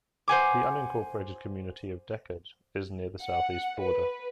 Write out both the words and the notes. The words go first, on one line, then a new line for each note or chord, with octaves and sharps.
The unincorporated community of Deckard is near the southeast border.
C5 F#5 G#5 D6
F#5
B4